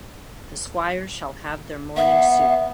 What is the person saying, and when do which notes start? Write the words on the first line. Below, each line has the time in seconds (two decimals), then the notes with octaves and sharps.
The squires shall have their morning soup.
1.96 B3 E5